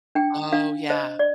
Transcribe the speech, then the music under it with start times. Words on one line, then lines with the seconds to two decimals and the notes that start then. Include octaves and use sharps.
Oh, yeah.
0.15 D4 G5
0.52 D4 F5
0.90 C5 D#5
1.19 D5